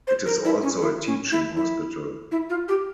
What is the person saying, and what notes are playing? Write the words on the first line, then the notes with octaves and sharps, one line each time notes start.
It is also a teaching hospital.
C5
A#4
E4
C#4
E4
C#4
E4
E4
E4
F4
G4